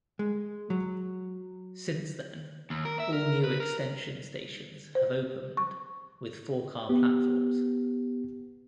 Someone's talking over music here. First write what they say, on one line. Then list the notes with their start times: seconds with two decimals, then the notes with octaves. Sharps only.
Since then, all new extension stations have opened with four-car platforms.
0.19 G#3
0.70 F#3
2.70 D#2
2.85 A#4
3.00 E5
3.13 A#4
3.44 B4
3.60 A#4
4.95 C5
5.57 C#6
6.89 B3 G4